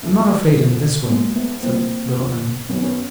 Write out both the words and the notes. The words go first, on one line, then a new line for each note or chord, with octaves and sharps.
'I'm not afraid in this way,' said little Em'ly.
D2 C#3 F3 A3
F#2 C#3 F3
E2 B2 F#3 G#3 A#3
A3 B3
B3
C2 A#2 F3 A#3 C4
F2 D3 F3
F#2 D#3 F#3 B3 C#4
B3 C#4